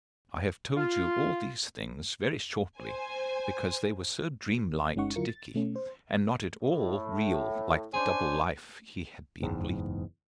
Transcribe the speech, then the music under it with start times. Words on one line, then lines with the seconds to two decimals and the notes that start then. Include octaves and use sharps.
I have told you all these things very shortly, because they were so dream-like to Dickie, and not at all real like the double life he had been leading.
0.76 F4
2.78 C5 G#5
4.96 G1 G#3 C#4 D#4 F#5 C#6
5.16 D3 F#3 E4 F4 A#4 C#7
5.29 A6
5.54 B2 A3 C#4
5.76 C5
6.62 A2
7.94 C#4 D4 C5 G#5
9.42 F#1 E2 G#2